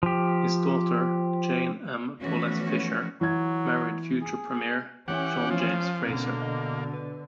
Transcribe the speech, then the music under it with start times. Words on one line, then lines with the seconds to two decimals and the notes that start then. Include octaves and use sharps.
His daughter, Jane M. Paulette Fisher, married future premier John James Fraser.
0.03 F3 G4
2.19 E3 F3 A3 B3 C#4 F#4
3.21 E3 F#3 G#6
4.21 G#4
5.08 E3 C#4 E4 G4 F#5
5.50 F3
6.03 B2 D3 A#3 C4
6.42 D#5
6.94 B4